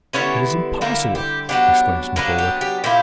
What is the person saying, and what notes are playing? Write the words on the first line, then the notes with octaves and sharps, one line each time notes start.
"It is impossible!" exclaimed Smith-Oldwick.
D3 G3 B3 C#4 E4 C#5
D3 G3 A#3 E4 A#4
G4
F#3 B3 D4 G4
F#3 A#3 B3 D4 A#4
G4
G4
A#2 A#3 E4 G4